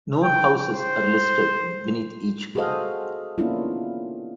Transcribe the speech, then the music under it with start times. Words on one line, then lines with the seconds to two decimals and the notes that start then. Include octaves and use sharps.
Known houses are listed beneath each clan.
0.23 G5
0.70 C5
2.55 F#4 G#4 A4 C5 D#5 F5
3.38 A#3 B3 C#4 D4 E4 F4